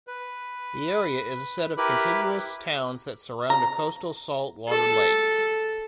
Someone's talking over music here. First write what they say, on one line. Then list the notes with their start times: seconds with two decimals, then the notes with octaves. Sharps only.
The area is a set of contiguous towns that surround a coastal saltwater lake.
0.07 B4
1.77 E4 G4 A#4 B4 B5
3.50 A#5
4.70 A4